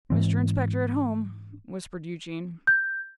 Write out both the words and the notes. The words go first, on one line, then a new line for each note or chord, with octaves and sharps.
'Mr Inspector at home?' whispered Eugene.
G#2 E3 C4
G6